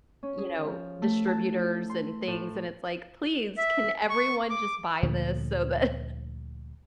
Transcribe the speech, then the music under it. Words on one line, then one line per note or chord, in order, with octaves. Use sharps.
you know, distributors and things, and it's like, "Please, can everyone just buy this so that"
C#4
G#4
F3
A3
A5
E4
C6
A2
E5
C#6
D6
D2 A#2 D3 F3